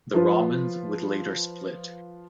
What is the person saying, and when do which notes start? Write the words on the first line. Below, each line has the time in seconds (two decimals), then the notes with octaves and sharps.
The Robins would later split.
0.14 F3 F4 B4 C5